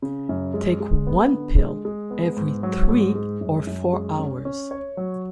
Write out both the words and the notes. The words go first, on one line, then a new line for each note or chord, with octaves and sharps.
Take one pill every three or four hours.
C#3
F#2
G#3
G#3
B3
D3
G#3
G#3
B3
G#2
F#3
G#2
G#3
F#2
F#2
G#3
C#4
C#4
C#5
F#3